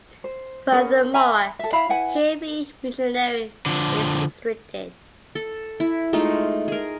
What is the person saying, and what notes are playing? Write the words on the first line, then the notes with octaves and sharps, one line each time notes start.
Furthermore, "heavy machinery" is restricted.
C5
C#4 G#4 A#4 F#5
E5 G#5 A#5 B5
A4 E5
E4 E5 F5 B5
E4 B4 F#5 G#5
D3 F3
A4
E4
G#3 A3 D#4 F4
G#4 A#4